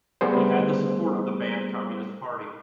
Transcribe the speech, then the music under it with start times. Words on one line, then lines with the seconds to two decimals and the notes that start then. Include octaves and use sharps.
He had the support of the banned Communist Party.
0.21 G3 A3 B3 G#4 C5